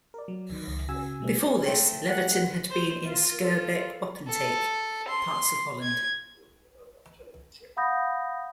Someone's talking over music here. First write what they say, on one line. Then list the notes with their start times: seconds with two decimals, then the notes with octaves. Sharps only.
Before this, Leverton had been in Skirbeck Wapentake, Parts of Holland.
0.14 A#4 D5
0.28 F#3
0.52 D#3
0.67 C#2
0.89 C#3 F#4 G#5 E6
1.20 B2 G3 A3
1.66 A3 C4
2.09 F#5
2.71 C5
3.05 F4
3.41 F4 A4
4.28 A4
5.08 C6
5.83 G#6
7.77 F5 F#5 B5 D#6 G6 A#6